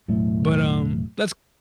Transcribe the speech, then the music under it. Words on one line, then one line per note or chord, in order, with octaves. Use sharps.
But, um, that's
E1 A2 F#3 A3